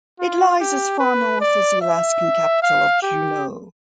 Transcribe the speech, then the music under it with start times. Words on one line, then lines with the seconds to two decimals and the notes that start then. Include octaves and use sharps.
It lies as far north as the Alaskan capital of Juneau.
0.20 F4
0.60 G4
1.00 B4
1.40 D5
1.81 E5
2.62 F5
3.02 G4